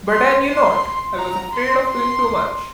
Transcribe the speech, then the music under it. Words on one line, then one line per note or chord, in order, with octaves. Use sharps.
But I knew not — I was afraid of doing too much.
C6
C6
A#5
C6
C6